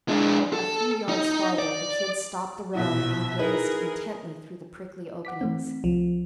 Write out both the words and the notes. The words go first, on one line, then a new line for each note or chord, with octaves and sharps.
A few yards farther the Kid stopped the roan and gazed intently through the prickly openings.
G#3 D4
A4
D#4
D5
A#1 B2 E4 E5
D#4 E4 G#4 A#4 B4
F#5 D6 B6
E3 A3 C4
C2 F3